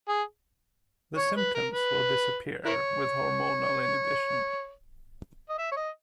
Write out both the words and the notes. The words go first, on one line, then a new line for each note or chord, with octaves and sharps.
The symptoms will disappear, with hormonal inhibition.
G#4
C#5
B4
A#4
B4
E4 A#4 C#5
D#5
E5
C#5
D#5